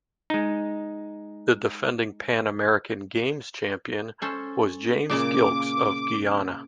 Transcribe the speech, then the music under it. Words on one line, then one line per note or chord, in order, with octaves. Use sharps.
The defending Pan American Games champion was James Gilkes of Guyana.
G#3 D#4
C#4 A4 C5
A#2 C#3 A#3 D6